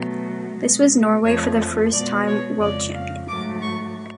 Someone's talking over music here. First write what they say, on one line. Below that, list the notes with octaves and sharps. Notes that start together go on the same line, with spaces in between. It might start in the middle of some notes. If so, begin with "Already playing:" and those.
This was Norway for the first time world champion.
Already playing: B2 F#3 A3
B2 G#3
F2 F3 A3 C#5
B2 G#3 D5
C#5
F2 C#3 G#3 D5
F5
G#2 F#3 A3 D6
C#6